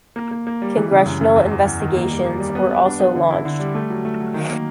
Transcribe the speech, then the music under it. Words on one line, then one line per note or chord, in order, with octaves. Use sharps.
Congressional investigations were also launched.
A#3
A#3
A#3
G3
E3
C#3
F#2
F#2
E2
E2
E2
D#3
A#3
G3
A#3
G3
B3
B3
D4
B3
D3
E4
D3
G3
A3
F#3
A3
F#3
D#3
A#3